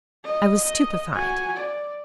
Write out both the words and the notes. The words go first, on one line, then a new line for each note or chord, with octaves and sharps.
I was stupefied.
D#5
D#5
F#4 G#5
D5